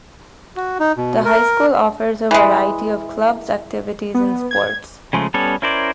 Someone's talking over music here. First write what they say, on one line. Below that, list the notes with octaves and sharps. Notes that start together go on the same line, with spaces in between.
The high school offers a variety of clubs, activities and sports.
F#4
D#4
B2
A#4
E3 G#3
B3
G#6
C#3 F3 G#3 A3
G3 B3 C#4 A4
C#4 E4 A#4 C5 D5